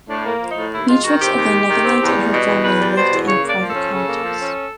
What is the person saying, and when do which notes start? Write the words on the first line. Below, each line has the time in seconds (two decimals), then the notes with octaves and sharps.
Beatrix of the Netherlands and her family lived in private cottages.
0.08 A2 D4
0.24 A#3
0.41 F3
0.51 D#4
0.56 A2
0.73 D#2 E4
0.88 G#3 F4
1.04 D#3 F#4
1.20 C4 G4
1.36 D#2
1.52 G#3
1.68 D#3
1.83 C4
2.00 E2
2.15 G3
2.31 B2
2.48 E2
2.63 E2 B4
2.80 G3
2.95 B2 C5
3.11 E2
3.27 C#3 C#5
3.43 A#3
3.49 D5
3.59 F3
3.70 C#4 A4
3.91 C#3
4.06 A#3
4.23 F3
4.38 C#4